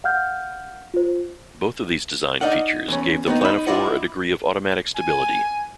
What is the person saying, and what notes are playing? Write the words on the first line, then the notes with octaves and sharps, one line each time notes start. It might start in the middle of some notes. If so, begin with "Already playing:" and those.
Both of these design features gave the planophore a degree of automatic stability.
F5 F#5 F6 G6
F4 C5
D#4 D5 D#5 F5 F#5
E2 C#4
D#3 B3 C#4 D#4
D#4 B5
D4 E4 F4 D5 D#5 F#5
G#5